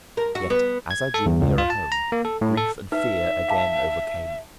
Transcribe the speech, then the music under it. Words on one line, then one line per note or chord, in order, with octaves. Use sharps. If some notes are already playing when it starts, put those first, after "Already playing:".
Yet, as I drew nearer home, grief and fear again overcame me.
A#4
F#4
B3
G#6
A4
E2
C#2
F4
A5
A#5
A#3
A4
A2
A4
D#4 B4 E5
F5 A5